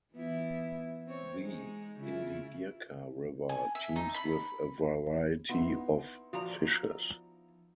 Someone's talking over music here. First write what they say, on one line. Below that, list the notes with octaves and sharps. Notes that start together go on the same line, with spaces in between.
The Indigirka River teems with a variety of fishes.
E3 B3 E4
C4 C#5
G#3 D#4
C#3 E4 F4
G#5
E5
D#4
B5
B3 D#4 E4 C6
F3 F#4 D5 A#5